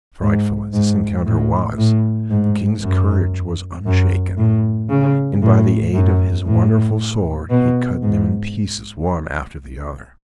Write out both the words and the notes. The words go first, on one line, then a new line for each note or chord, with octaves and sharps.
Frightful as this encounter was the King's courage was unshaken, and by the aid of his wonderful sword he cut them in pieces one after the other.
G#2
G#2
A2
A2
G#2
F#2
F#2
A2
C#3
A2
F#2
A2
B2
G#2